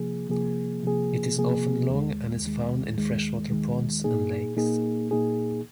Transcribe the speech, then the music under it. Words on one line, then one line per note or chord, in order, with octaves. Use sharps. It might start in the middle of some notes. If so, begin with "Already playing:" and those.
It is often long and is found in freshwater ponds and lakes.
Already playing: C3 F3 A#3 G#4
C3 F3 A#3 G#4
C3 F3 A#3 G#4
C3 F3 A#3 G#4
D#2 D#3 G#3
D#2 D#3 G#3
D#2 D#3 G#3
D#2 D#3 G#3
A#2 A#3 D#4 G#4
A#2 A#3 D#4 G#4
A#2 A#3 D#4 G#4